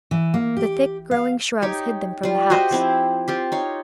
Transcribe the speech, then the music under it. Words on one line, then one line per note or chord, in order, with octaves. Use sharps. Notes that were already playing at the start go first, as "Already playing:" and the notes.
The thick growing shrubs hid them from the house.
E3
A#3
G4
F5
D#4 G4 C#5
G3 F4
F#4 G4 C5 D#5
F3 C4 E4
C4 F4 G4
D#4 C#5 F5